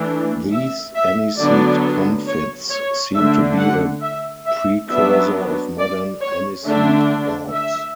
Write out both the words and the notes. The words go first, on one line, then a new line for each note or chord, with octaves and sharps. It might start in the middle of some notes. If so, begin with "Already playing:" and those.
These aniseed comfits seem to be a precursor of modern aniseed balls.
Already playing: E3 A3 D4
E5
E5
D3 F#3 B3 D4 D5
C#5
C#5
D3 A3 D4 E5
F#5
E5
E5
F#3 B3 D4 E5
D5
C#5
D3 A3 D4 E5
E5